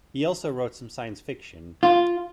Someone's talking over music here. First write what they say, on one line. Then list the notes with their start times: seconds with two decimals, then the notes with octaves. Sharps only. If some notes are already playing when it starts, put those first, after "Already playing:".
He also wrote some science fiction.
1.83 F4